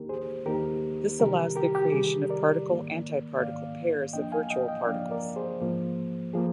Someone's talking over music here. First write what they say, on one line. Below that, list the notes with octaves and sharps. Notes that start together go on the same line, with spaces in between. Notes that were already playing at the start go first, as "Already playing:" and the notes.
This allows the creation of particle-antiparticle pairs of virtual particles.
Already playing: D#2 D#3 A#3 D#4 G4 A#4
G#4 C5
D#2 D#3 A#3 D#4 G4 A#4
C3 D#3 G3 G4 A#4
G4 A#4
G4
C3 D#3 G3 G#4
A#4 D5
G#2 D#3 A#3
G#2 D#3 A#3 D5 F5
G2 F3 A#3 D4 D#5 G5
F5 G#5
D#5 G5
D#5 G5
G2 F3 A#3 D4 D5 F5
A#4 D5
G#4 C5
G#2 F3 A#3
F3 A#3 G#4